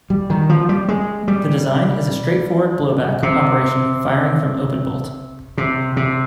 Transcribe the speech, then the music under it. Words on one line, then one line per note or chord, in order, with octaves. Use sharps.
The design is a straightforward blowback operation firing from open bolt.
G3
D#3
F3
G3
G#3
G3
C3
C3
C3